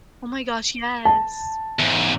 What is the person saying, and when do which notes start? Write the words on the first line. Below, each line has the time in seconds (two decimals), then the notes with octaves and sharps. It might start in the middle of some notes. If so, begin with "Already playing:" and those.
Oh my gosh, yes.
1.05 A5
1.80 E2 G#2